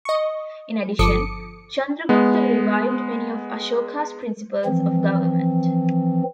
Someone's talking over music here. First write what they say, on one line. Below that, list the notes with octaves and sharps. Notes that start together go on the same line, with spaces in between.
In addition, Chandragupta revived many of Ashoka's principles of government.
D#5 C#6
G1 F3 A4 D6 D#6 C#7
G#3 B3
E3 F3 C4